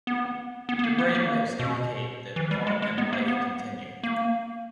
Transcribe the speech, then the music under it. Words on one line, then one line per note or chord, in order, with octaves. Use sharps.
The brainwaves indicate that thought-and life-continue.
B3
B3
B3
A#3
B3
A#3
B2
E3
G3
G#3
G#3
B3
A#3
B3
A#3